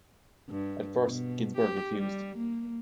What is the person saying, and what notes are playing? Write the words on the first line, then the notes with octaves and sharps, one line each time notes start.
At first, Ginsberg refused.
G2
B2
G4
G3
A#3